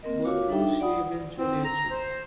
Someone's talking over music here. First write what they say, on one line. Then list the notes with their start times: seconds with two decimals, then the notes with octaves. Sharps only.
Both goals she eventually achieved.
0.03 A#3 C4 A#4 D#5
0.24 F4 F#4 C#5 F5 D6
0.48 G3 D4 D#4 A4 E5 G5
0.80 D5 F#5 B5 D#6
1.38 C4
1.64 A#5
1.91 C5